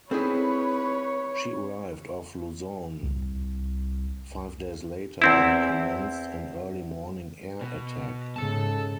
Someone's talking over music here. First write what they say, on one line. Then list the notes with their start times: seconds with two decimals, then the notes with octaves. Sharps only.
She arrived off Luzon five days later and commenced an early morning air attack.
0.11 C4 D#4 E4 G#4 A4 B4 C#5
3.03 C2
5.22 E2 C4 E4
7.61 B2
8.36 G#2 C#3 A4 A5